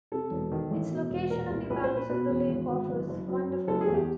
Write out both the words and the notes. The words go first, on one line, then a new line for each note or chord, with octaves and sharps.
Its location on the banks of the lake offers wonderful views.
C3 A4
E1
D#3
A1
B2
E1
A#2 A#4
C2
A#1 B4
C5
A#2
B4
B2 B4
E2
G#1
G#1
F#1
F#1
F#2
F#2
F#1 A4
G#4
E2
G4